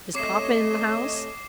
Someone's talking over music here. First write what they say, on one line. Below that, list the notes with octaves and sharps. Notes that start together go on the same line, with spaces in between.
"Is papa in the house?"
C3 A3 C#5 D#5 D6 C7 E7